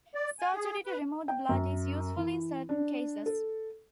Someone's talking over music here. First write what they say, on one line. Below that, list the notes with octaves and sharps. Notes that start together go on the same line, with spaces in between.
Surgery to remove the blood is useful in certain cases.
D5
G#5
G#4
B4
G5
F#2
E3
D4
A4